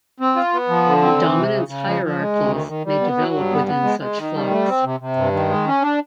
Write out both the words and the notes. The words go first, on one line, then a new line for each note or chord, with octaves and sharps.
Dominance hierarchies may develop within such flocks.
C4
F4
B3
F3
D3
C4
E3
C3
C#3
C#3
F3
F3
G#3
D2
D#3
D#3
G3
B3
F#3
G2
B3
B3
G#3
G#3
D#3
G3
A3
C4
C3
C3
G2
D#3
G#3
C#4
D4